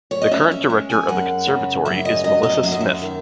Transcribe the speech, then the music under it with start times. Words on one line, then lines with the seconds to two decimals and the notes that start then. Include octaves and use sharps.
The current director of the conservatory is Melissa Smith.
0.11 C#5
0.22 D#5
0.31 C#4 E5
0.51 E5
0.70 G#3
0.90 G#5
1.09 F#2 F#5
1.47 C#3
1.85 F#2 E5
2.05 D#5
2.24 F#3 D#5
2.43 D#5
2.63 F#2 E5
2.72 D#5
2.80 E5
3.02 D#3